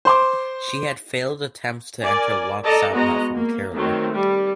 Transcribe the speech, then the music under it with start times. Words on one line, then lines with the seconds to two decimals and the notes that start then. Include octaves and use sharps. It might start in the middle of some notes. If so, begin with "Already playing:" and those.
She had failed attempts to enter Lok Sabha from Kerala.
0.05 C5 C6 D6
2.02 A#4 D5 G#5
2.65 A4 D5 D#5 A5 A#5
2.94 G#3 B3 F#4 D#5 A#5
3.36 A#3
3.74 D#3 F#3 A3 C4
4.10 G3